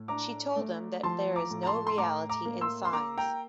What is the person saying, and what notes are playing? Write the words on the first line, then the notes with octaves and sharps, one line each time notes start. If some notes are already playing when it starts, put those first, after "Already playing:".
She told them that there is no reality in signs.
Already playing: A2
D4 A#5 D6
A3
F3 A5 C6
A#5 D6
A2
A#5
A5 C6
C6
A2 A#5 D6
A#5 D6
A#3
C6 E6
C6
A#3 A#5 D6
G5 A#5